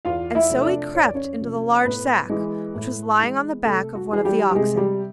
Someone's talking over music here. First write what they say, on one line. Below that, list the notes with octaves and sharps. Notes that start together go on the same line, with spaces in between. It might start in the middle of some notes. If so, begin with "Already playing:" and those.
And so he crept into the large sack, which was lying on the back of one of the oxen.
E2 F4 F5
E4 E5
C3 F3 A3
D4 D5
E2 C#5
D5
C#4 C#5
C3 F3 A3
A2 B3 B4
E3 G#3
A2
E3 G#3
C3 A3 A4
F#4
E3 G3 G#4
G3 G4
G4
C3 G#3 G#4
G3 G4